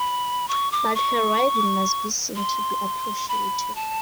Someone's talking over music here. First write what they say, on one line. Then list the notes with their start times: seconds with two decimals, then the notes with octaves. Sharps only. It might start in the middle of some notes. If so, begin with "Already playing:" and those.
But her riding must be seen to be appreciated.
Already playing: B5
0.48 C#6
0.72 D6
0.95 C#6
2.36 C6
3.28 B5
3.75 A5